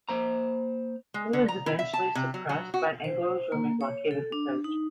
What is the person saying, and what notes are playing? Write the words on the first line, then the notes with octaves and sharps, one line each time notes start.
It was eventually suppressed by an Anglo-German blockade of the coast.
A#3 C5 A#5
G#3
D3
A#5
E4
E5
A5
C3
F#3
F#3
F#4
C5
A#3
C#5
A4
D4
D#4